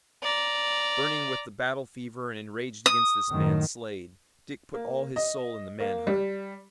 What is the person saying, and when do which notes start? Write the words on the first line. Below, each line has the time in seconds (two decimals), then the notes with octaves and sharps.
Burning with the battle fever, and enraged against this man Slade, Dick put all his soul in the man-hunt.
0.23 D5 A#5
2.86 D#6
3.30 F#2 A2 D#3
4.74 A#3
5.16 D#5
5.80 A#3
6.07 G3